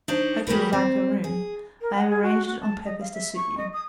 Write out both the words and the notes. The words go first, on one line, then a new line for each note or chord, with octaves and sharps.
I hope you will like your room; I have arranged it on purpose to suit you.
D4 D#4 C5 C#5
G3 G#3 F#4 A#4 B4
C4
G#4
A#4
F#5
G#4
F#4
F#4
A5
D#5
F5
E5
C#6
D#5
D#6